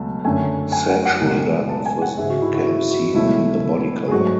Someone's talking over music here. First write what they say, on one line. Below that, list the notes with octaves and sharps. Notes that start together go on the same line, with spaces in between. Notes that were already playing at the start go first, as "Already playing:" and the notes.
Sexual dimorphism can be seen in the body color.
Already playing: C#2 B2 F#3 A3 A5
F#2 D3 F#3 A3 G#5
G#5
F#5
F#5
C#2 B2 A3 G#5
A5
G#5
F#5
G#2 G#3 E5
F#4
E4
F#4
E4
F#4
C#2 B2 F#3 A3 E4
G#4
G#2 F#3 A3 F#4